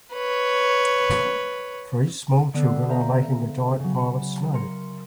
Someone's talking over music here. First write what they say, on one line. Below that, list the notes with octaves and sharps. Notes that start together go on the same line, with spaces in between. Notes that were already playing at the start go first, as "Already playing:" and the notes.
Three small children are making a giant pile of snow.
B4 C#5
D3 B3 D5 E6 F#6 C7
C5 E5 F5 A#5
C#3 F#3
B5 C#7
A#4 C6 C#7